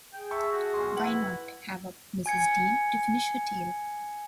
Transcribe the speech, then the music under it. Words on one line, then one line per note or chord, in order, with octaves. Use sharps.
Why not have up Mrs. Dean to finish her tale?
G#4 G5
E5 A5 C#6
F#4
B1 C6
E4 B4 F#5 F#7
G#5 G#6 C#7